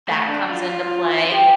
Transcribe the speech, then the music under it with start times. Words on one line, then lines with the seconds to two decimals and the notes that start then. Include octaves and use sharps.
that comes into play,
0.08 A3
0.28 D4
0.49 F4
1.25 F4
1.31 G4